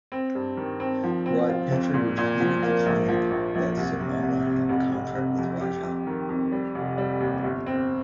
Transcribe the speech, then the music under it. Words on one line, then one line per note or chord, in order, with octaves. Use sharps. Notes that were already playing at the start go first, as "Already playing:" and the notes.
Rod Petrie refuted the claim that Zemmama had a contract with Raja.
C4
G2
D#3
C4
F3
C4
F4
F2
A#2
A#2
F3
A#3
A#1
F3
A#1
A#1
C2
C3
C2
C3
F1
F1
C3
F2
G4
F2
D#3
F2
G3
F1
G3
D#2
G1
C4